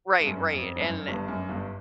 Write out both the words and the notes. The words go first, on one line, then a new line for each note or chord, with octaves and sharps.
Right, right, and le
G2
F#2
F2
G2
F#2
G1 G2
F#2
G1 G2